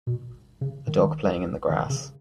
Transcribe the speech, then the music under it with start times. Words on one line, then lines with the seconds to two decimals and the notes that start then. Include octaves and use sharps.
A dog playing in the grass.
0.07 B2
0.61 C#3
0.88 D#3
1.70 D#3
1.90 C#3